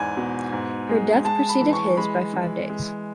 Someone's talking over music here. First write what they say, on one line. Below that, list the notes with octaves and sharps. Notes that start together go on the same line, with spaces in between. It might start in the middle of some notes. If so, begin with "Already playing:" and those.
Her death preceded his by five days.
Already playing: E2 G#2 G#5
B2
G#2
G#3
G#3 A5
B5
E3
C#6
G#3 B5
E3
G#3